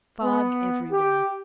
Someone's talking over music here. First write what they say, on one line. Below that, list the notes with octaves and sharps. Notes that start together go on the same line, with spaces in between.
Fog everywhere.
B3
G4